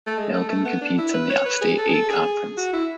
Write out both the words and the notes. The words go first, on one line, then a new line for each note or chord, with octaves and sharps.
Elgin competes in the Upstate Eight Conference.
A3
G#3
A3
A3
B3
D4
E4
B4
C#5
B4
G#4
A4
G#4
A4
G#4
F#4
E4